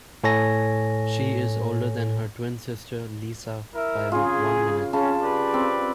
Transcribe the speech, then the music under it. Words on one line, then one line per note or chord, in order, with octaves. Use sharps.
She is older than her twin sister, Lisa, by one minute.
A2 A4 C#5 G#5 A#6
E4 A#4 E5
C#3 F4 G#4
C#3 C#4 A5
G4 B4 D5
C4